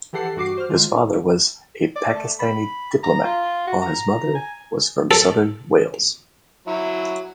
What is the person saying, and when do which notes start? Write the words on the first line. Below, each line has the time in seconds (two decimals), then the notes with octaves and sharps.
His father was a Pakistani diplomat while his mother was from Southern Wales.
0.13 E3 G4 A4 F#5 C7
0.36 G2 F#4 D6 C7
0.57 C5 F6
0.69 D#3 G#3 F4
1.96 D5
2.15 A3
2.39 B5
3.03 A#5
3.25 F4
3.67 F#4
3.82 A#5
4.35 G#5
5.11 A4
6.67 F#3 E4